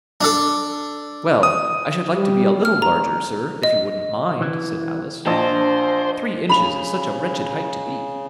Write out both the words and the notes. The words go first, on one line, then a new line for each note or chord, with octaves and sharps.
'Well, I should like to be a LITTLE larger, sir, if you wouldn't mind,' said Alice: 'three inches is such a wretched height to be.'
D4 A4
D#6
G3
F6
A#5
D#5
E3
A#1 D4 C5 D#5
C#3 B5 F7